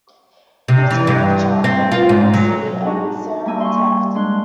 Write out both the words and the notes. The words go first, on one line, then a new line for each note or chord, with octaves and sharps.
He was the fourth child of William C. and Sarah Tefft.
C3
E3
G2
C4
F4
G#2
F#3
D4 D#4 F#4
G3 A#3 G#5 E6
C6 C#6
G#3 D4 C6 F#6